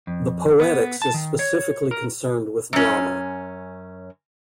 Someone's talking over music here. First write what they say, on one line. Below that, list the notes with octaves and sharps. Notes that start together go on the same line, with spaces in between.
The "Poetics" is specifically concerned with drama.
F2
B3
A5
D#3
C#5
A#4
F#2 C#4